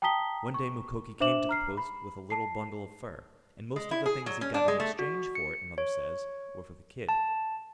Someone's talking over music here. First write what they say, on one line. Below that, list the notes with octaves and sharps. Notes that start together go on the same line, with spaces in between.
One day Mukoki came to the Post with a little bundle of fur, and most of the things he got in exchange for it, mother says, were for the kid.
G5 A5 A#5 D#6 B6 G7
C#6
D4 C5 E5 D6 E7 F#7
A#5 F6 C7
B5
A5 C7
G#3
E4
G#4
F#3
C#4
D4
G#3
A3
F#4
C#7
C#5
A5